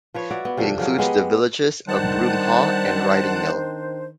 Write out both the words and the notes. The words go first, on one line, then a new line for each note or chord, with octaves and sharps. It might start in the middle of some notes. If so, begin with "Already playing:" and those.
It includes the villages of Broomhaugh and Riding Mill.
F3 B4 C#5
F#4 D5 E5
B3
C3 F3 D4 A4
C#3 F3 F#3 A#3
G#3 B3 G4 D#5
D#3 G3 C4 D4 C5 F#5 A5 F#6